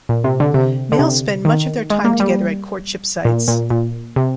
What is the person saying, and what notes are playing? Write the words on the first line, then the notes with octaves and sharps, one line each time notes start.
Males spend much of their time together at courtship sites.
A#2
C3
D3
C3
D3
C3
D#3
G#3
A#3
G3
A#2
A#2
A#2
C3